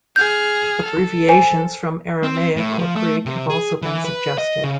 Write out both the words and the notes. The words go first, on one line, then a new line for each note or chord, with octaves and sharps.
Abbreviations from Aramaic or Greek have also been suggested.
G#4 F6 G6
A4
C5 G#5
C4
A2
F3
A3
C3
G#4
E3
B4
D#5
C#3